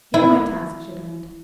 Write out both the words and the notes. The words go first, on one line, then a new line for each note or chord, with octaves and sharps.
Here my task should end.
E4